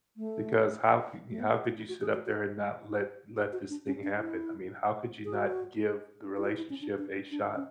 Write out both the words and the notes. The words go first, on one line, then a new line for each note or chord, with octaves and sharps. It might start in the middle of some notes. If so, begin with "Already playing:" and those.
because how could how could you sit up there and not let let this thing happen? I mean, how could you not give the relationship a shot?
A3
A3
B3
G#4
F#4
E4
F#4
G#4
F#4
F#4
G#4
F#4
D4
C#4
D4
E4
G#4
F#4
E4
F#4
E4
C#4
D4
D4
D4
C#4